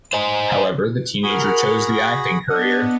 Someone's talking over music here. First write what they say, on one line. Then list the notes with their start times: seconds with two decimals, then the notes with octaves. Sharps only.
However, the teenager chose the acting career.
0.13 C5 D#5 G#5
1.23 F#4 G#4 A#4 F#5 B5 F6
1.73 A#6
2.50 B3 D4 D#5 F#5